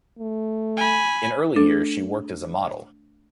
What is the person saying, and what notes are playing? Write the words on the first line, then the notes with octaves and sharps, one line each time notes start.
In early years she worked as a model.
A3
G#5 B5
A3 D4 A4